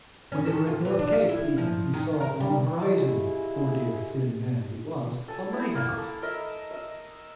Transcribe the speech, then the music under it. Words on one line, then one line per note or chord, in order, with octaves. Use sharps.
When they were at North Cape, even, he saw on the horizon, poor dear thin man that he was, a lighthouse.
C#4
A4
F4
E3
D4
F5
E4
F3
D#3
A#4
G3
E4 F4 G4 G#4 D#5
A4 G#5
E4
A#3
A4
A#4 D#5 E5
D#5 E5